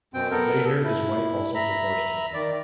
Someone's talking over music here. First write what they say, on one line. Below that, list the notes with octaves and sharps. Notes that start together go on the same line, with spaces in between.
Later his wife also divorced him.
F#2 B2 C4 G5
B3 A4 A#4
E4
E5 A#5 B5
D#3 D5